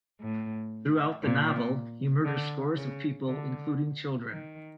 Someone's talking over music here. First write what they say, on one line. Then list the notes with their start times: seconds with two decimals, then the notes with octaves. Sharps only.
Throughout the novel, he murders scores of people, including children.
0.20 A2
1.23 A#2
2.25 D3
2.76 C#3
3.27 D3
4.30 D#3